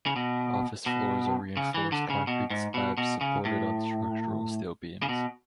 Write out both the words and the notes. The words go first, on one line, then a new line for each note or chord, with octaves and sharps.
Office floors are reinforced concrete slabs supported on structural steel beams.
C#3
B2
B2
C#3
E3
D3
C#3
B2
G#2
B2
B2
C#3
A2
C#3
B2